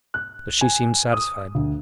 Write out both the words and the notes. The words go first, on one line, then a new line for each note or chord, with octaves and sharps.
But she seemed satisfied.
F#6
G#5
D#6
D2